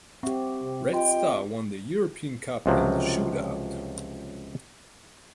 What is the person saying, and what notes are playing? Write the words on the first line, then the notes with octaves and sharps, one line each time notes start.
Red Star won the European Cup in the shootout.
C4 G4 E5 F#5 C#6
C3
F4 D#5 G5 C6
C#2 C3 F3 F#3